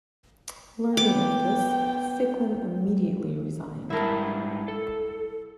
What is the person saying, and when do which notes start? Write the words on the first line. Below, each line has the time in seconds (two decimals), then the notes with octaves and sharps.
Learning of this, Ficklin immediately resigned.
0.97 B3 G5 D6
3.90 G#2 G3 E4 A#4 A5
4.68 A4